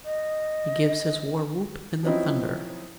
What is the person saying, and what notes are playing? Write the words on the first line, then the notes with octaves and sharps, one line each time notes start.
He gives his war-whoop in the thunder.
D#5
F3 F#3 C4 C#4 D#4 E4